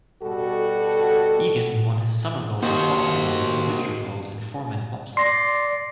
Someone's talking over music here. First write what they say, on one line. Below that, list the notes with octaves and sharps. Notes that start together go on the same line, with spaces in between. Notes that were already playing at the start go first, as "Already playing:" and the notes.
Eagan won his summer gold in boxing and his winter gold in four-man bobsled.
B2 G3 F#4 A4
D#2 F#4 C5
D5 C6 A#6 C7